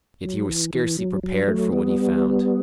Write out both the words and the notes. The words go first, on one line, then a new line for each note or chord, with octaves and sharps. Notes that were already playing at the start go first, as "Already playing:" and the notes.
Yet he was scarcely prepared for what he found.
F#3
E3
E3
F#3
F#3
F#3 A3
G3 B3